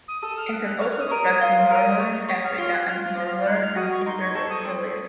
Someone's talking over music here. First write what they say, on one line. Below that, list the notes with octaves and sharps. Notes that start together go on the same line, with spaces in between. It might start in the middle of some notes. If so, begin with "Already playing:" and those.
It has also spread to Northern Africa and Northern and Eastern Australia.
D#6
A4 D#6
F6
F#5
F#6
C#5 F6
F6
D#6
A#4
F4
A#4 D#6 F6
C#5
C#5 D#6
F6
F4 F6
F#6
F4 F6
F4
D#4 F#6
F6
F#4 D#6
C#6
D#4 C6
C#6
A4 C#6
D#6
C4